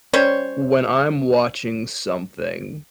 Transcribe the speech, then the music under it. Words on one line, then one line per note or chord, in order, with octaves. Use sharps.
when I'm watching something,
G3 C#4 C5 C#5